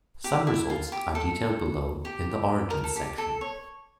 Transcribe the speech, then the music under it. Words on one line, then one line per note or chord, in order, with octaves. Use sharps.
Some results are detailed below in the 'Origins' section.
G4
E4
F4
G4
A4
G4
A#4
A4
G4
A4
C#5